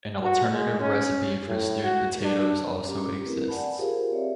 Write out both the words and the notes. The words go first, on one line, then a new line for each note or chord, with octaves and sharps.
An alternative recipe for stewed potatoes also exists.
F#4
G#3
C#4
A2
F#4
D4
C#4 G4 A#5 D6
A3 A#3 C4 E4 A#4 B4
D5 F#5 G#5 A5 B5
F4 G4 G#4 A#4 C5 F5
C4 C#5 D5 E5